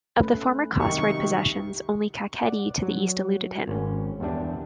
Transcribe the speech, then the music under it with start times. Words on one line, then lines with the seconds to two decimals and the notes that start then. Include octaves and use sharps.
Of the former Chosroid possessions, only Kakheti to the east eluded him.
0.17 A3 C#4 B4
0.80 C2 F#2 D#3 D#4 G4 C#6
2.42 D5 F#5
2.82 F#3
3.68 G#1 C#4
4.20 E2 G2 G3 D4